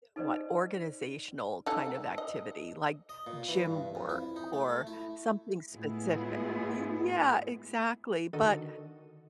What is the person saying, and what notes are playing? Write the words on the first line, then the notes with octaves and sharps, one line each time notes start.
what, organizational kind of activity, like, gym work or something specific. Yeah, exactly, but,
D#4 A4 B4 C5 D5 D#5
D#4 A4
D#5
D#5
A#2
E3
G2
F2
E4
D#4
A3
A3
E4
A2 G#3 B3 E4 F4 G#4
D3 D#3 F#4 A4 D#5 D#7